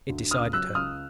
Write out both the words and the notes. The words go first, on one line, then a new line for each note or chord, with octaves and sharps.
It decided her.
D2
C#2 D#6 F6
F#3 E6 F#6
C#2 D#6 F6